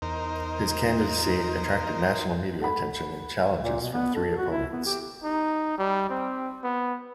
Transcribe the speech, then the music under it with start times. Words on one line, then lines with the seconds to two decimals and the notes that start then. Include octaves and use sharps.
His candidacy attracted national media attention, and challenges from three opponents.
0.02 E2 D#4 A#4 C5
2.60 A4 F#5 B5
3.62 A#2
3.80 B2
3.93 B3
4.15 A4
4.37 F#4
4.50 E4
4.73 B3
4.86 G4
5.24 D#4
5.78 G3
6.10 C4
6.63 B3